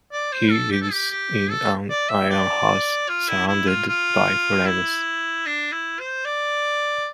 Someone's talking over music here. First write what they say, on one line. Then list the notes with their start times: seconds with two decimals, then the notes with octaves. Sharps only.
He lives in an iron house surrounded by flames.
0.12 D5
0.32 C5
0.51 A4
0.72 G4
0.82 A4
0.92 G4
1.11 G4
1.50 A4
1.90 D5
2.09 E5
2.30 D5
3.09 F4
3.29 E4
3.48 E4
3.68 F4
3.88 F4
4.67 E4
5.46 D4
5.72 E4
5.99 C5
6.25 D5